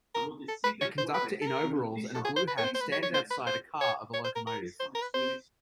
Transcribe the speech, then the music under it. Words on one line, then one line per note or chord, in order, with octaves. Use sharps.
A conductor in overalls and a blue hat stands outside a car of a locomotive.
A#4
A4
B4
C#5
C5
B4
A4
A#4
A4
G#4
C5
B4
C#5
C5
C5
B4
C#5
C#5
C5
B4
C5
C#5
C#5
C5
A#4
A#4
C5
A#4
B4
C5